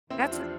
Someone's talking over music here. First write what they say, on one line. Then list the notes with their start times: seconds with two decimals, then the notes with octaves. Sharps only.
that's a
0.10 E2 C3 F3 C4 E4
0.31 D4 F4